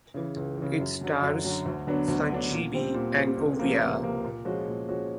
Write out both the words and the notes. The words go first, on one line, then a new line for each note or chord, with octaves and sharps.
It stars Sanjeevi and Oviya.
C#3 E3
C#2
C#3 E3
F#2
D3 F#3
F#2
D3 F#3
D2
D3 F#3 B3 D4
D2
D3 F#3 B3 D4
A#2
G3 C4
A#2
G3 C4
C#2
C3 F3 A#3
C#2
C3 F3 A#3
A#2
F3 G#3 C#4 F#4
A#2
F3 G#3 C#4 F#4